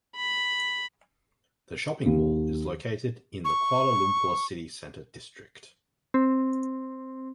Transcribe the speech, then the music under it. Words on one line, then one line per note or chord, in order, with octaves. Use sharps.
The shopping mall is located in the Kuala Lumpur City Centre district.
B5
D#2
C#6
C4